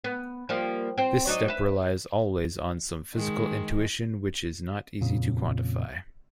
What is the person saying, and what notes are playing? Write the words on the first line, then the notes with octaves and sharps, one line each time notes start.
This step relies always on some physical intuition which is not easy to quantify.
B3
F3 G3 A#3
C4 C5
F#3 D4 D#4
B4 E5
D#3 G#3
F2 A#2 C#3